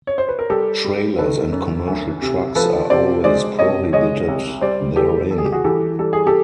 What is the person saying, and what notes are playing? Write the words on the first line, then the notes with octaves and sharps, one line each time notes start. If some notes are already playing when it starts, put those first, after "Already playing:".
Trailers and commercial trucks are always prohibited therein.
C#5
C5
B4
A#4
G3 G4 A4
G3
D#3 A4 B4
F#2
D2
C3
F3 A4 B4
C3 C5 D5
G#3 C5 D5
C3 C#5 D#5
G#3 C#5 D#5
C2
G3 C5 D5
E3 G4 A4
G3 A4
G#4
G4
F#4 G#4
E3 G4 A4
G3 A4
G#4
G4 A4